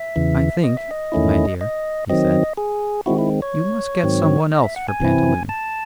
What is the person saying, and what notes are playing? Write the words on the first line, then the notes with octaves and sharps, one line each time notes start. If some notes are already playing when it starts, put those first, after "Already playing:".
"I think, my dear," he said, "you must get someone else for pantaloon."
Already playing: E5
E2 C#3 E3
D#5
E5
D#5
E2 D#3 A3 C#4 E4
D#5
D#3 F#3 C4 D#5
G#4
D#3 G#3 C4 E4 F#4
E4
C#5
G#2 D#3 F#3 C4
D#5
E5
F#5
G#5
C3 E3 C4 E4
A5